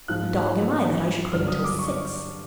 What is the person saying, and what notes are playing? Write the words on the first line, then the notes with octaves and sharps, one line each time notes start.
"What dog am I that I should wait till six?"
G#2 F3 F#6
G2 D3 F#3 F6
D#6
D6
C#6